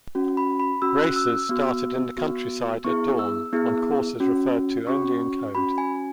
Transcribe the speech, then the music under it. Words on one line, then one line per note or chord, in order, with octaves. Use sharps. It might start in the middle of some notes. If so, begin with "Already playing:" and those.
Races started in the countryside at dawn on courses referred to only in code.
C#4 F#4
B5
B5
C#4 F#4 E6
F#6
E6
E6
B3 F#4
B3 F#4
B3 E4 G#4 C#6
E6
B3 E4 G#4
C#4 F#4
C#4 F#4 C#6
C#4 F#4 B5
G#5